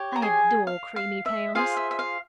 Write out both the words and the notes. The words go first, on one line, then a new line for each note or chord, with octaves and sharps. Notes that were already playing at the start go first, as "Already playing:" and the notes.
I adore creamy paleness.
Already playing: G4 C#5
A#5
G#4 G#5
F5
F5
E5
F4 G#4 C5 F5
E5
E5
F5